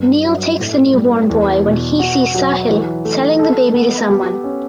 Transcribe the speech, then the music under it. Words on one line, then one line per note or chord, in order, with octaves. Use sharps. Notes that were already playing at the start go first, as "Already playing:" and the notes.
Neel takes the newborn boy when he sees Sahil selling the baby to someone.
Already playing: G2
F#3
A2
G3
E2
B2
F#4
F#3
E3
A3
A4
B3
G4
C#4